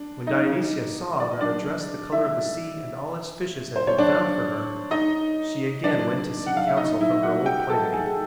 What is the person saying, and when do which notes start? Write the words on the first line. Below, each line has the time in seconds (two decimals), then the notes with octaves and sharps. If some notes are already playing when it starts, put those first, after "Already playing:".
When Dionysia saw that a dress the colour of the sea and all its fishes had been found for her she again went to seek counsel from her old playmate.
Already playing: D4
0.27 D#4 D#5
1.20 D5
1.31 D#5
1.41 D4 D5
2.12 E4 E5
3.76 C5
3.87 C#5
3.98 D4 D5
4.91 D#4 D#5
5.84 D4 D5
6.46 F#5
6.57 F5
6.67 E5
6.77 D#4 D#5
7.01 E4 E5
7.23 F#4 F#5
7.46 G4 G5
7.70 A4 A5
7.93 G#4 G#5